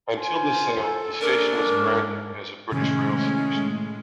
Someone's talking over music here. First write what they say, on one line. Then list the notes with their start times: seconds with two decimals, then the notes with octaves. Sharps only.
Until the sale, the station was branded as a British Rail station.
0.17 F4 C5 G#5
0.76 A4
1.21 A#3 C#4 D4 A#4
1.71 G#2
2.72 A2 C3 D#3 G#3 C#4